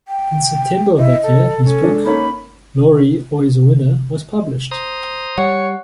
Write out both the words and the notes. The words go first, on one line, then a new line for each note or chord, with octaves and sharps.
In September of that year, his book, "Laurie: Always a Winner" was published.
G5
E4 D#5
A4
C#4 A4
G#3 D4
A#3 C#4 D#4 B5
C5 A#5 D#6
G3 C#5 F#5